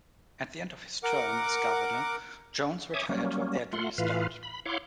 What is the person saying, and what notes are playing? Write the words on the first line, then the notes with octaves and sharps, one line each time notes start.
At the end of his term as governor, Jones retired to Airdrie Stud.
A#4 F#5 D6
C#5 E5 G#5 D6 D#6
F#3 G3 A#3 C#4
A3 F4 F#5 C6
A2 E3 F4 B4 F5
B5
E4 C#5 F5 F#5 C6 D6